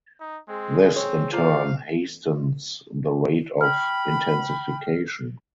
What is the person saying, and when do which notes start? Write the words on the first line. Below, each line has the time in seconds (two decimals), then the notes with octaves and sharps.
This in turn hastens the rate of intensification.
0.20 D#4
0.48 G#3 C4 G#4
0.96 C4 C#5
1.32 F4 C5 D5 F5 A#5
3.61 G5 B5 F6